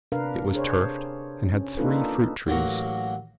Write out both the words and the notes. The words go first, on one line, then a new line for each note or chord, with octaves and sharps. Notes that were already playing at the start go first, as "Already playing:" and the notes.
It was turfed, and had three fruit-trees.
C3 D4 A#4 B4 F5
D4 G#4 C5 C#5
C#4
A#3 D4 D#4 F4 A4 B4
A1 F#3 A#3 F#4